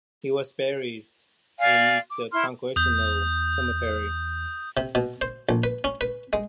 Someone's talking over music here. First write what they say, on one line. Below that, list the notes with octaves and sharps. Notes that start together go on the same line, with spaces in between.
He was buried in the Congressional Cemetery.
D5 F5 G#5
D6
E4 C6 F6
E2 D#6 G6
C3
B2
C5
A#1
B4
C#4
B4
G#3